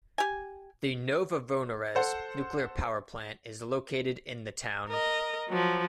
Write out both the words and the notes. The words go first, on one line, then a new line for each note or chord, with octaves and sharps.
The Novovoronezh Nuclear Power Plant is located in the town.
G4 G#5
A4 C5 F#5
A#4 D#5
F3 F#3